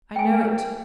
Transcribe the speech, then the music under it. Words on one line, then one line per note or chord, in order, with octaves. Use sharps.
I know it.
G5 G#5